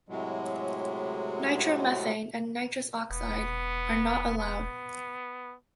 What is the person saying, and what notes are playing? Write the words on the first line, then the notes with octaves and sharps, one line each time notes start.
Nitromethane and nitrous oxide are not allowed.
A2 C3 F#3 G#3
E1 B3
B3